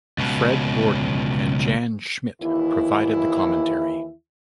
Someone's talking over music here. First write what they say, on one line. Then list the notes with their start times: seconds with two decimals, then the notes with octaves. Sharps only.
Fred Borden and Jan Schmidt provided the commentary.
0.18 C#2 B2
2.41 D#2 E3 E4